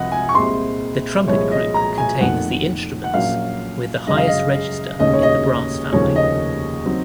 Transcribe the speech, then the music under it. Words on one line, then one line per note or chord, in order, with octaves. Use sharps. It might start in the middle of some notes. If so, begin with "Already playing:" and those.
The trumpet group contains the instruments with the highest register in the brass family.
Already playing: C2 C3 F3 D#5 F#5
G#5
C#6
C2 A#2 G#3 C4 C6
C2 A#2 F3 G#3 C#5
D#5
A#5
G#5
F1 F2 D#3 A#3 F#5
F#5
A#1 A#2 F#3 A#3 C#4 F5
F#2 C#3 G#3 D#5
F5
D#5
F1 D#2 C#3 G#3 C#4 D#5
C#5
D#5
F1 D#2 C#3 F3 A#3 C#5
D#5
D#3 F#3 C4